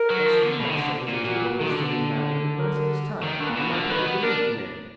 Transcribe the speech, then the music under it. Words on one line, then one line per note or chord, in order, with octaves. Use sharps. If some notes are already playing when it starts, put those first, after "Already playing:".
My schoolmaster was a capable sane man in advance of his times and my people believed in him.
Already playing: A#4
F#3
F3
D3
B2
D#3
D3
A#2
A#2 F#4
D#3
D3
A#4
D#3
D3
B4
A#2
B2
A#4
D3
D#3 B4
B3
D4 A#4